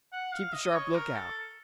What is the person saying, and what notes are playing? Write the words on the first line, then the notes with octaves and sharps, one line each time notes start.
Keep a sharp lookout.
F#5
F5
D#5
C#5
A#4
A4